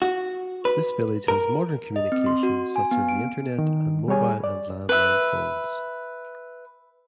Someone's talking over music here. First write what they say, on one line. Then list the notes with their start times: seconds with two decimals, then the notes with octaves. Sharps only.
This village has modern communications such as the internet and mobile and landline phones.
0.02 F#4
0.65 B4
1.28 A#4
1.96 D#5
2.12 C4
2.26 C6
2.43 F#4
2.76 G#5
2.91 B3
3.09 D7
3.58 D#3
4.08 G3 G#4 C#5 G#5
4.44 D5
4.89 B4 E5